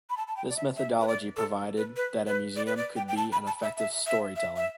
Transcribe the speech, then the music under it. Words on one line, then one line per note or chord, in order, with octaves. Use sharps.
This methodology provided that a museum could be an effective storyteller.
B5
A5
A5
G5
D5
E5
E5
B4
D5
A4
B4
B4
B4
D5
B4
D5
G5
G5
A5
B5
A5
E5
E5
E5
E5
E5